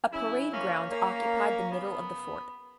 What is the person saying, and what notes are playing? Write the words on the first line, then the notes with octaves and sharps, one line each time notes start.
A parade ground occupied the middle of the fort.
C#3 F#3 C#4 E4
A#3 C#4
A#3 C#4
C#3 F#3 B3